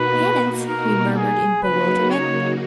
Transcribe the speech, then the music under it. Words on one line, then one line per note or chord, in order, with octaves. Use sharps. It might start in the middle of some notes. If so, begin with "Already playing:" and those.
"Penance?" we murmured in bewilderment.
Already playing: B2 A#3 D#4 F#4 B4
A#4
G#4
C#3 F#3 A#3 D#4 F#4 B4
C#5